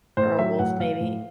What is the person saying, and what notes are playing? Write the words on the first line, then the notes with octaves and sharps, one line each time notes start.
or a wolf, maybe
A2 C5
F#3 E5
A2 F#5
A2 F5
A2